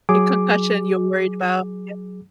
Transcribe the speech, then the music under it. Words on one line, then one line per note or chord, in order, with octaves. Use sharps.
A concussion you're worried about, yep.
F#3 G#4 D6